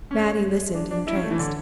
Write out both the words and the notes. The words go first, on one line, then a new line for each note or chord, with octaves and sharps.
Mattie listened entranced.
C#4
D4
D4
E4
C#4
A3
E3
D3